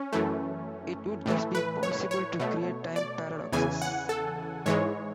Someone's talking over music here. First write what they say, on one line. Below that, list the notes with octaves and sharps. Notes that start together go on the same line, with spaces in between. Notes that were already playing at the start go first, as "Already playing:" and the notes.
It would thus be impossible to create time paradoxes.
Already playing: C#4
F#2 E3 A3
A2 E3 A3
B4
C#5
C#5
B2 A3
D5
E2 C#3 E3 G#5
F#5
A4
G#2 E3 G#3 C#5